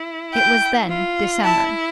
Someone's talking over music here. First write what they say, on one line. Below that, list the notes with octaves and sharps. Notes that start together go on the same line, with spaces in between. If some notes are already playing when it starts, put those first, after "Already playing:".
It was then December.
Already playing: E4
G5
F4
E4 A5